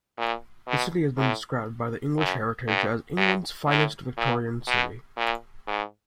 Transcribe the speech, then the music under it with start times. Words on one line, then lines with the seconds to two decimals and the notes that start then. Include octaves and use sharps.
The city has been described by the English Heritage as England's finest Victorian City.
0.18 A#2
0.68 B2
1.17 A2
2.18 F#2
2.67 G2
3.17 G2
3.68 A2
4.17 A#2
4.67 B2
5.17 A#2
5.67 G#2